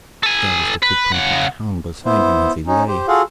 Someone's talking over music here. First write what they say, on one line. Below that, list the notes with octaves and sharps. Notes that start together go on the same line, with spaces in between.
There was the footprint of the hound beside him as he lay.
A4 G#5
B4
C#3 F#5
B3 E4 C5
C#4 D#4
G4 C5
F4 F#4 G#4 A4 F5 F#5